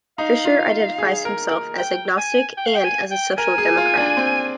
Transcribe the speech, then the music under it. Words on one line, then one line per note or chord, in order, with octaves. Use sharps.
Fischer identifies himself as agnostic and as a social democrat.
D#4 F5
F4
G#4
A#4
A#4
G5
G#5
G5
F5
G5
G#5
G5
A#4 G#5
G#4
F4
D4
C4